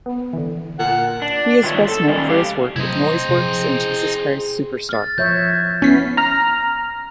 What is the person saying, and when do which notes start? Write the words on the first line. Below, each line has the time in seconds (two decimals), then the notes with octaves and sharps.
He is best known for his work with Noiseworks and Jesus Christ Superstar.
0.06 B3
0.33 D3 E3
0.79 A#2 F#5
1.22 D4
1.63 G2 D#3 F4 C#5 E5
1.88 A4
2.07 D#3 G3 C#4
2.29 G4 F5
2.76 C3 F#3 A3 C4 E4 D#5
3.29 C3 F3 G#4
4.89 F6 A6
5.18 F3 C#5 E5 G6
5.82 B3 C#4 E4 B6 C7
6.17 A#5 F6